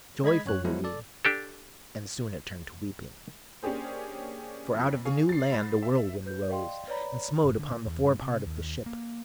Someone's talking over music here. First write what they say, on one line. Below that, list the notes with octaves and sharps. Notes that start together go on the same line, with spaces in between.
Joyful were we, and soon it turned to weeping; For out of the new land a whirlwind rose, And smote upon the fore part of the ship.
G#3 D#5 B5 G#6 B6
F#2 C#5 F#6
F3 F#3 G#3 B3 E4
A4 D5
D4 G4 A4
A#3 C#4 D4 G4 G#4 C5
F2
G#4 F5 G#5 C#6
A6 C7
G#2 B5 A6
E5
B4 G6
D5 D#5 F5 G5 C6
B4 C#5 D5 A#5 B5
G1
D3
A#2
E2
G2
C3
D#2
A#3